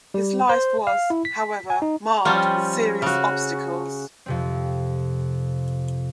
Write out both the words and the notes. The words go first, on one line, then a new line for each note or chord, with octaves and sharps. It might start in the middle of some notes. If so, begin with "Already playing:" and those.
His life was, however, marred with serious obstacles.
G3
C5
F5
E4
B6
G#5
D#4
F3 G3 C#4
C#3 F#4
F2 C3 C4